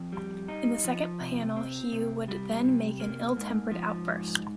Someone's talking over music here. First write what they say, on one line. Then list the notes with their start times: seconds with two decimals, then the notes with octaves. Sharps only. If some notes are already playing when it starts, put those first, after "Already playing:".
In the second panel he would then make an ill-tempered outburst.
Already playing: F2
0.12 G3
0.48 D#4
0.84 F3
1.20 C3
1.56 C4
1.92 C3
2.28 G3
2.64 C3
3.00 A#3
3.36 G#2
3.71 F3
4.08 G#2